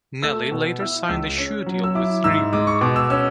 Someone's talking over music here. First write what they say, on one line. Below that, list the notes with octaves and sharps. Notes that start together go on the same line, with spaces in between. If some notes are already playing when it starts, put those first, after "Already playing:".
Nelly later signed a shoe deal with Reebok.
A3 E6
B2
E4 E6
C#2 E6
C#4
F#3
E6
E4 D6
G#2 E6
G#3 D6
C#6
B2 D6
E6
C#4 E6